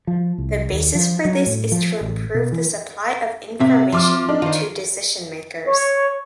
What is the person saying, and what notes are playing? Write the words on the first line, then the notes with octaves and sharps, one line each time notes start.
The basis for this is to improve the supply of information to decision-makers.
F3
C2
D#2
F3
F#3
A2
F3
A1
B2
E3
C3 C4 E5
F3 C6 D6 F6
D4 D#4
D#3 F4 C5
C#5